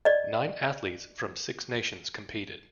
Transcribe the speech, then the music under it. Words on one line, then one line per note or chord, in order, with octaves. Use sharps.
Nine athletes from six nations competed.
D5 D#5